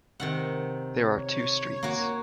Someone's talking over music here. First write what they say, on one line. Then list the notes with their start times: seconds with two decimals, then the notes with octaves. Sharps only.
There are two streets.
0.20 C3 D#3 F#5
1.15 C#5
1.83 A#3 F#4